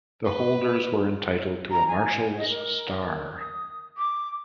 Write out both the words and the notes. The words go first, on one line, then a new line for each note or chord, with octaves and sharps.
The holders were entitled to a marshal's star.
B4
A#5
G#5
D#5
A#4
D#6
D6